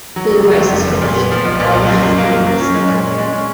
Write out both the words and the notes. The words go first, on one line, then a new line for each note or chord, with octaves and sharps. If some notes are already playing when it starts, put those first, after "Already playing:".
The device is finished in polished stainless steel.
F#3
F#1
F#3
F2
F#1
F2
A#2
B3
F3
B1
A#2
B1
F#2
F#2
A#3
F#2
F#2
C#4
G#3
A#2
C#4
G#3
C#4